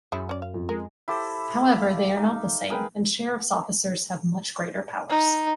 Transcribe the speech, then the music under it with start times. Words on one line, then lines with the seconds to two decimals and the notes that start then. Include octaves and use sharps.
However, they are not the same, and sheriff's officers have much greater powers.
0.12 F#2 G#3 C#4 E4
0.29 C#4 D5
0.42 F5
0.54 F2
0.69 G#3 A#4
1.08 E4 G4 A4 C5
1.82 F5
2.17 D#4
2.70 G#4 A#4 B4 G5
5.09 D#4